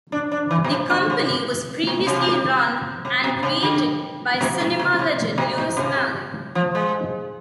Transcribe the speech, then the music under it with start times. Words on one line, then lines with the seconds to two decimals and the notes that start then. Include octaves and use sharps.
The company was previously run and created by cinema legend Louis Malle.
0.12 D4
0.32 D4
0.51 E3
0.64 B2
0.71 C3
0.90 D3
1.10 C3
1.87 B2
2.07 C3
3.05 C3
3.24 B2
3.43 C3
3.63 D3
4.41 B2
4.60 B2
4.79 B2
4.99 C3
5.38 B2
5.58 B2
5.77 C3
6.55 F3
6.75 G#3